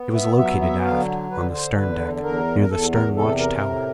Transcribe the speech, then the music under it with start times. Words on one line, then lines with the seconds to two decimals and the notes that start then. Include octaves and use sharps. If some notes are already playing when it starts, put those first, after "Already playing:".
It was located aft, on the stern deck, near the stern watch tower.
Already playing: B3
0.15 E5
0.38 F#3 E5
0.62 E5
0.85 D3 F5
1.31 D3 B4
1.54 C5
1.77 E2 B4
2.23 E2 A#4
2.62 A#4
2.69 E2 A4
2.93 A#4
3.16 C3 A4
3.39 A#4
3.62 A2